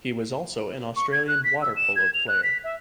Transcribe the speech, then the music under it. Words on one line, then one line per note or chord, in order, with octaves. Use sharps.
He was also an Australian water polo player.
C#6
G#6
F#6
B6
E6
E7
G#6
F7
F#6
B6
E5